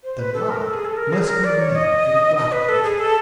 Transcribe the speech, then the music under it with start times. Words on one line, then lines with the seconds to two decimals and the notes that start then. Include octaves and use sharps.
The lie must be met and grappled with.
0.04 C5
0.19 B4
0.34 A4
0.50 A#4
0.61 A4
0.73 G#4
0.85 A4
0.97 A#4
1.13 G#4
1.28 A#4
1.44 D5
1.59 C#5
1.75 D#5
2.38 D#5
2.52 B4
2.69 A4
2.83 G#4
2.99 A4